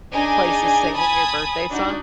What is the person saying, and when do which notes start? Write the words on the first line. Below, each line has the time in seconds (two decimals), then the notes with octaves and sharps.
place is singing your birthday song.
0.12 D4 D#4 G#4 G#5
0.95 G#5 A5 B5 D#6 G#6
1.70 D4 D#4 F#4